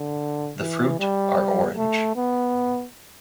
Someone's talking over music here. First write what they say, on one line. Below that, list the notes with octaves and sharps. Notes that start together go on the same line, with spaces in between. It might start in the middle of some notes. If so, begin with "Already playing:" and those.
The fruit are orange.
Already playing: D3
E3
G3
A3
B3